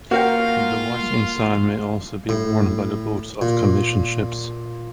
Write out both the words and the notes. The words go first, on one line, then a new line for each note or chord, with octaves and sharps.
The White Ensign may also be worn by the boats of commissioned ships.
A#3 F4 F#4 A#4 F5 G5
A2
A#2